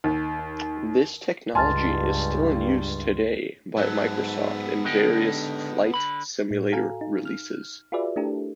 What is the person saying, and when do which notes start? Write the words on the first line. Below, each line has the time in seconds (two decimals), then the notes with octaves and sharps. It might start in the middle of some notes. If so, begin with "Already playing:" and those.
This technology is still in use today by Microsoft in various Flight Simulator releases.
0.04 D#2
1.55 C#2 G2 G#5 A5 C6 F6 A6
3.77 G#2 F#3 B3 A4
4.85 D3 G#3 D#4 G4
5.94 D3 B5
6.51 A2
6.72 F#4 A4 F5 G#5 A#5
7.01 D#4
7.25 F6
7.92 F4 F#4 G#4 B4 D5 E5
8.16 A3 D4 E4 G4 A4 A#4